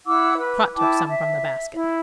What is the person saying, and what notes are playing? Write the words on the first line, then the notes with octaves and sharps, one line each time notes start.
Trot took some from the basket.
E4 F#5 D6 E6
B4 B5
E4 G5 A5 D6
E5
E4